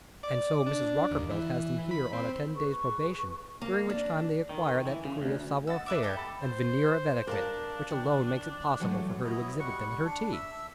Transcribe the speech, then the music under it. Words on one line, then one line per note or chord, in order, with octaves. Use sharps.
"And so Mrs. Rockerbilt has them here on a ten days' probation during which time they acquire that degree of savoir-faire and veneer of etiquette which alone makes it possible for her to exhibit them at her tea."
D5
D4
D#2
E3
B5
C4
G#4 B4 C#6
A#3
D4
D#3
E3
C#3
D2
D#5 F#5 E6 A6
B4 E5 D6
G4 A4
B5 A6
C5
D4 A#4 F5 A5
D#3
E3 F#3 A3
F#3 B3 E4 D#5
G3 F#5 C#6
D4
E5 E6